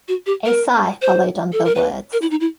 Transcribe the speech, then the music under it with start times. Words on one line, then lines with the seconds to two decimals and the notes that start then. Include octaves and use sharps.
A sigh followed on the words.
0.08 F#4
0.26 G4
0.45 A#4
1.02 C5
1.53 A4
1.65 A#4
1.75 B4
2.12 A#4
2.22 E4
2.31 D#4
2.40 E4